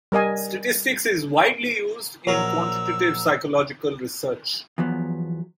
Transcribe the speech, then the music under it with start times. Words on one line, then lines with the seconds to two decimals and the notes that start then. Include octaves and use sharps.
Statistics is widely used in quantitative psychological research.
0.12 G3 A#4 D#5 G#5
2.27 A#1 F#3 A#4 C#5 E6
4.78 E2 F3 F#3 B3